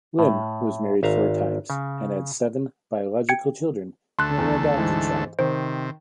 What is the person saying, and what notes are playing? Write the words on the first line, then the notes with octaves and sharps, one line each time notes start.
Lim was married four times, and had seven biological children and an adopted child.
A2
G#1 E5 F5 A#5
C#3
G5 G#6 C#7
D2 A3 C6 F#6
E2
G#2 E3
C3 D#3 C5